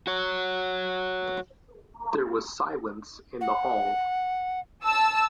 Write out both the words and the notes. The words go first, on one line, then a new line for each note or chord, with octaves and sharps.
There was silence in the hall.
F#4 C#5
F#5
A5 E6